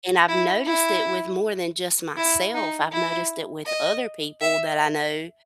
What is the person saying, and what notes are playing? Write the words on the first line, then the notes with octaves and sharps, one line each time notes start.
and I've noticed it with more than just myself, I've noticed it with other people that I know,
E4
E4
E4
D#4
E4
D#5
E5